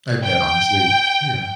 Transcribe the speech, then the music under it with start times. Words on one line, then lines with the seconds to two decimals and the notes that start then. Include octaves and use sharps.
I bet, honestly. Yeah.
0.24 G5